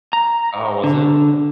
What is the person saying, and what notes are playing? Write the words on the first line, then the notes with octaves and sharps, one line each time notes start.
Oh, was it?
A#5
D3